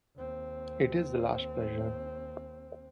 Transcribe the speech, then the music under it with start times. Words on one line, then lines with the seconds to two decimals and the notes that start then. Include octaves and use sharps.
It is the last pleasure.
0.17 D#2 C4